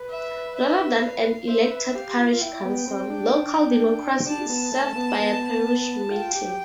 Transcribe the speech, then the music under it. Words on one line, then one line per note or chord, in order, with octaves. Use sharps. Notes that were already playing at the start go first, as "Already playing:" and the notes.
Rather than an elected parish council, local democracy is served by a Parish meeting.
Already playing: B4
E5
E5
F5
C5 E5
B4
G4 F5
F4
F4
E4 G5
B3
C4
D4
D4 A5
B3
A3
B3
B3
F4 G5
G4